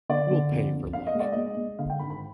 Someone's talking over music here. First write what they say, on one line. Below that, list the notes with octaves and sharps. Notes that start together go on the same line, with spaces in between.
Who will pay for Luck?
D3 D5
D3
F2
F2
D4 F5
D#5
G#3
D5
G#3 D#5
G#3
D3 F5
G5
G#1 B5
B5